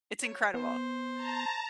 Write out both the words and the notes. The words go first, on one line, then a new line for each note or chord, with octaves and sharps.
It's incredible.
C#5
B3 C5
A5 A#5